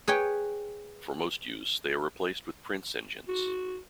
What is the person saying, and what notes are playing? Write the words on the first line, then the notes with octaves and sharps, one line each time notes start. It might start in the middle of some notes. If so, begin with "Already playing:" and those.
For most use, they are replaced with Prince engines.
G#4 B4 C#5 G5
F#4